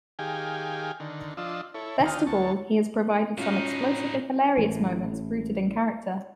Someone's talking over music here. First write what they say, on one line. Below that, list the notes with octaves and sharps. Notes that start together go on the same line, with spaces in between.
Best of all, he has provided some explosively hilarious moments rooted in character.
D#3 G4 G#4 F5 G5 G#5
D3 D#3
F3 D4 F4 D#5 E6
E4 A4 C#5
D#2 D3 F4 G5 D#6 F6
D2 A5 C#6
A2 C#4 D#4 F4 F#4
A1 A2